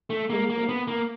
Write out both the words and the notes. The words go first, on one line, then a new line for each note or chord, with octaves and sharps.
What do you think?
A3
A#3
A#3
B3
A#3